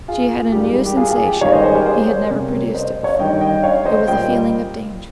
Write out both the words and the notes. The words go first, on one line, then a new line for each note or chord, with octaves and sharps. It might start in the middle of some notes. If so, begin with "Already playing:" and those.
She had a new sensation; he had never produced it before; it was a feeling of danger.
F4 G#4
G#2 G3 A#3 G4
G4
F4 G#4
F4 G#4
G4
G#2 D#3 G3 A#3 C#5 F5
C5 D#5
G#4 C5
G4 A#4
G#4 C5
A#4 C#5
C3 G3 A#3
C5 D#5
C#5 F5
G2 D#3 G3 D#5 G5
D#5 G5
C#5 F5
C5 D#5
A#2 G3 A#3 D#5 G5